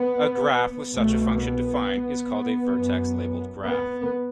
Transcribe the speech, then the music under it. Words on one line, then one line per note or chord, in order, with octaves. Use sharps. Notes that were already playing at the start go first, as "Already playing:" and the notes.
A graph with such a function defined is called a vertex-labeled graph.
Already playing: B3
C2 B2 A3
B3
F#2
B3